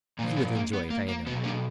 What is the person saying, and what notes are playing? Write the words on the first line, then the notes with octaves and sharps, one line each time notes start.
You would enjoy it, I know.
A#2 F3 A#3
B3
A#3
B3
A#3
A#3
B2 F#3 B3
A#3 D4